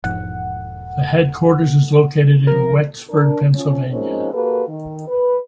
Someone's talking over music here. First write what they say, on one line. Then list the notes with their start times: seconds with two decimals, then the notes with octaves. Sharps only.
The headquarters is located in Wexford, Pennsylvania.
0.04 E1 G#2 F3 F#5
2.47 C3 F3 A#4
3.10 D4 A#4
3.55 F3 C#4
3.91 F3 G#3 A#3 C4 C#4 D#4
4.33 A#3 F#4 G4 A4 B4
4.68 D#3
5.08 B4